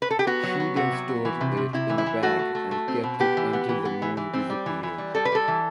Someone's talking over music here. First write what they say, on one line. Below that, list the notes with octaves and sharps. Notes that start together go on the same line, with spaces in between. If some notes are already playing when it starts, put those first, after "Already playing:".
She then stored it in a bag and kept it until the moon disappeared.
B4
A4
G4
B3 F#4
F#3
B3
C3 F#4
F#3
B3
E3
C3
C3
C3 E4
E3
E4
E3
A3 F#4
A3
A3
A3
C4
B2
B3 G4
E3
B3
E3
B3
E3
E3
C4
G3
E3
E3
G3
G3 A4
B4
G3 A4
E3